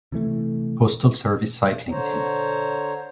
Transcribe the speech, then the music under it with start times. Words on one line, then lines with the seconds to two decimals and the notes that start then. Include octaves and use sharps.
Postal Service cycling team.
0.12 C3 E3 A3
1.91 D3 C5 C#5 A#5